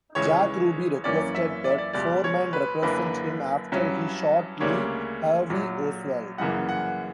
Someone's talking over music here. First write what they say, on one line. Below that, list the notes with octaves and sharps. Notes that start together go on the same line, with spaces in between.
Jack Ruby requested that Foreman represent him after he shot Lee Harvey Oswald.
C#2 C#3 E3 C#5
F#2 E3 A#3 C#4 D5
E5
D5
E5
D5
C#2 B2 G3 D5
C#5
B4
F#1 F#2 D3 A#3 E4 B4
G2 F#3 C#4 E4
D2 C#3 G3 A#3 D4 C#5
A#1 A#2 F#3
G1 F#2 C#3 E3 A#3 F#5
F#5